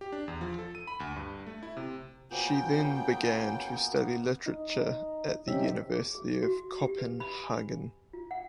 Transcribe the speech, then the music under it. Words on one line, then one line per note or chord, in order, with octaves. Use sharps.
She then began to study literature at the University of Copenhagen.
G4
D4
E2
F3
A4
D#7
B5
D2
G2
A3
E4
C3
C#3 A#3 B3 F4 F#4 C5 G5 G#5
D#4
C3 C4 C#4 D#4 G4 E5
G#4
G#4
F#4
G4
B4
B5
G#5
F4
F#5